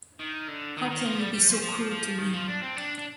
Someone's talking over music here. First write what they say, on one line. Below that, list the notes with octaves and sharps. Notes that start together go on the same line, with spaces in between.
How can you be so cruel to me?
D#3
D3
D#3
D#3
F3
G3
G3
F3
F3
F3
D#3
F3
D4
C4
D4
D4